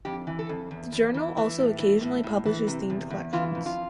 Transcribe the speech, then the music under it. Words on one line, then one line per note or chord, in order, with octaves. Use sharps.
The journal also occasionally publishes themed collections.
F2 G4
E3
A4
F2
E2
E2
E3
E3
A2
E3
A2
A2
E3
C3
E2
E2
E3 F4
F2
F4